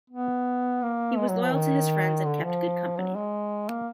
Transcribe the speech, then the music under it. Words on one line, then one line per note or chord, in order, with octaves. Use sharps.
He was loyal to his friends and kept good company.
B3
A#3
G#3
F#3
F3
D#3
D3
F3
F#3
G#3
A#3